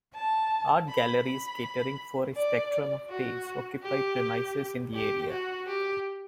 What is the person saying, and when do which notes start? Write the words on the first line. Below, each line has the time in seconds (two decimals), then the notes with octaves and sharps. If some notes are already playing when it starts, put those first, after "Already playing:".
Art galleries catering for a spectrum of tastes occupy premises in the area.
0.15 A5
0.88 B5
1.26 B5
2.36 D5
3.10 F#4
3.83 G4
4.94 G4
5.30 F#4
5.67 G4